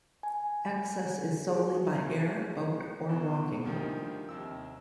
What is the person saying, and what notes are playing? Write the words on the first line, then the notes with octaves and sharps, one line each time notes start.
Access is solely by air, boat or walking.
G#5
G#4
E2 B2
D2 D#3 F3 G3 D4
D#2 C3 E6